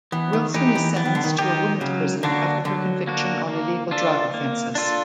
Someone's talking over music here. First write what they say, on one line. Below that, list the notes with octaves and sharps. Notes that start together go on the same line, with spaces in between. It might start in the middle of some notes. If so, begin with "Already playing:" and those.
Wilson is sentenced to a women's prison after her conviction on illegal drug offenses.
E3 B3
D#3
E3 D#4 G4
E3
E3 B3
D#3
D3
D#3
D#3 D#4 G4
C#3 F#3
D3 A#3 D4 F#4
D3 F#3
A#3 D4 F#4
A#3
D4 F4 A4
A#3
D4 F4 A4